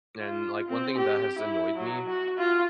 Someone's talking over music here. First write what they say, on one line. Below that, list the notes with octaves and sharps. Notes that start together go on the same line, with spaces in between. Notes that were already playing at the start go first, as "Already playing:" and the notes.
And, like, one thing that has annoyed me
F4
C4
G4
E4
F#3
F#4
F4